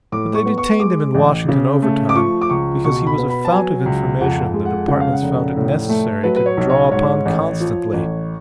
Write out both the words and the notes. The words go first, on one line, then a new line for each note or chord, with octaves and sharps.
But they detained him in Washington overtime because he was a fount of information the departments found it necessary to draw upon constantly.
A2 D6
C#6
B3
C#6
G#3 D6
A1
C#3
A3
D6
F3 C#6
D6
C#2 C#6
B2 C#6
B5
B3
B5
A5
F#3 G#5
C#2
F2 F#5
G#3
F#5
C#3 F#5
F5
F#5
F1
A2
A3
F#3 B4
B4
C#5
B1
C#5
G#2 C#5
A1
F3
A1